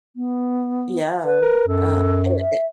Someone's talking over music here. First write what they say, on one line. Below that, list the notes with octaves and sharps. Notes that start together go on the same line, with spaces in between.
yeah, uh, it it
B3
B4
A#4
F#2 A4
E5